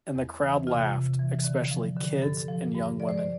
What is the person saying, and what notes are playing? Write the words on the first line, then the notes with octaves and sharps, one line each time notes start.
And the crowd laughed, especially kids and young women.
E2
E3
C3 F4
C3
E3
D3
F3
D3
G2 A4
F3
G2
F3 D5
C5
D5